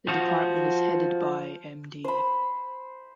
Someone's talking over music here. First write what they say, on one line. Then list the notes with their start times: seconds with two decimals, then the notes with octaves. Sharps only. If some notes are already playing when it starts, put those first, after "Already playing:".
The department is headed by Md.
0.08 F3 F#4
2.04 C5 B5